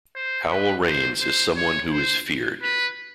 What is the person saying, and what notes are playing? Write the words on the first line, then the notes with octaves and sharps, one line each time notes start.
Howell Raines is someone who is feared.
C5
B4
C5
C5
C#5
C5
B4